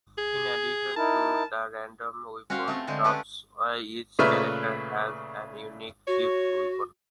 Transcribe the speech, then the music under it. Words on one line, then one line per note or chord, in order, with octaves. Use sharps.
In addition to the random weapon drops, each character has a unique fifth weapon.
G#4
D#4 E4 A#4 A5
C#4 F#4 G4 C5 F5
A3 C4 F4
D3 G#3 A3 C5
C#4 D4 G4 A4 B4
A#2 C#3 A3 B4 E5 F6
F#4 C#5